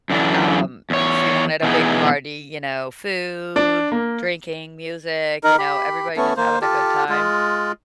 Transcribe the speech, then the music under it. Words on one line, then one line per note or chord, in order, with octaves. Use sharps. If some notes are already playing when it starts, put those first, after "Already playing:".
Um, she wanted a big party, you know, food, drinking, music, you know, everybody just having a good time.
F#2 D3 E3 D4
E2 C#5
B2 E3 A3 B3 D#4 G#4
D4
A#3
D#4 A#4
G4 B5
A3 B3 C#4 A4
A#3 C5
F4 G4 A4
G#3 F4